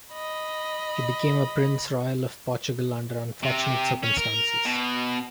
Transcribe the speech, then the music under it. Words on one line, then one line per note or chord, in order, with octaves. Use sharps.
He became Prince Royal of Portugal under unfortunate circumstances.
D#5 B5
C3
C#4
A#4
B2